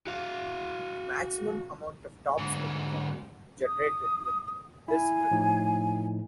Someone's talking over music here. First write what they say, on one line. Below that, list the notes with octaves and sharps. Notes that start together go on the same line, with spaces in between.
The maximum amount of topspin can be generated with this grip.
F#4 F5
G#2 D3
D#6
E4 G#5
A2 F3 D#4